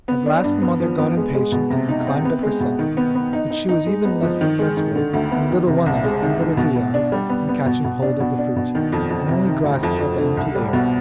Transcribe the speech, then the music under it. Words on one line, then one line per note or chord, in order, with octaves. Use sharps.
At last the mother got impatient and climbed up herself, but she was even less successful than Little One-eye and Little Three-eyes in catching hold of the fruit, and only grasped at the empty air.
B3
D4
G2
B3
F3
B3
G#3
G#3
B2
C3
D#4
C4
B3
G#3
B2
D#3
B3
B3
D#4
D#4
D#4
G#3
B3
F3
D#3
G#3
D#3
D3
D2
B3
D#3
C3
C2
G#3
D#3
D#3
B2
B2
D4
G3
B3
B3
B2
B2
D4
B2
D4
B2
D#3
F2
F2
C3
D#3
D2
F2
F2
D3
C2
G3
B2